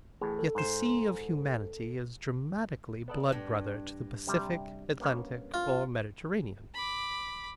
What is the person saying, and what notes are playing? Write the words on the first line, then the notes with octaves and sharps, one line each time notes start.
Yet the sea of humanity is dramatically blood-brother to the Pacific, Atlantic, or Mediterranean.
A1 A2 G#4
A4
G#2 C5
B3 A4 D5
G2
C3 G3
A#3 B3 C#4
F4
B5 D6